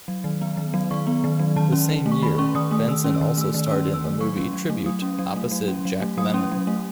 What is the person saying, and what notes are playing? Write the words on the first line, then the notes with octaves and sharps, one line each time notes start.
The same year, Benson also starred in the movie "Tribute" opposite Jack Lemmon.
F#3
D#3
B3
D#3
F#3
D#3 C#6
B3
D#3
F#3
D#3 A5
C#4
D#3
A3
C#6
D#3 B5
C#4 C#6
D#3 D#6
A3 D#6
D#3 E6
C#4
E6
D#3
A3 E6
D#3
C#4 E6
D#3
E6
A3
F#3 C#6
C#4
F#3
A3
F#3 D#6
C#4
F#3
A3
F#3
C#4
F#3
A3
F#3 D#6
C#4
F#3
A3